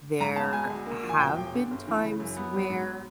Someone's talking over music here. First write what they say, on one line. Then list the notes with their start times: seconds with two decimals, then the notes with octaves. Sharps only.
there have been times where
0.20 G#2 A#5
0.36 B3 A5
0.53 G#3 G#5
0.70 D2
0.86 A#3
1.03 F3
1.09 G#5
1.20 E1 G5
1.37 E1
1.54 D3
1.71 G1
1.88 E3
2.03 C#3
2.20 F#2
2.37 B3
2.54 F#3
2.70 G#2